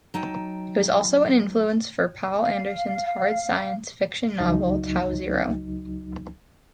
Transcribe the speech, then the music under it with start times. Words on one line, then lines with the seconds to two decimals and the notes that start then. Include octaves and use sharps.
It was also an influence for Poul Anderson's hard science fiction novel "Tau Zero".
0.14 F#3 D#4 G5 A5
2.40 F5
4.40 C#2 F#3 D#4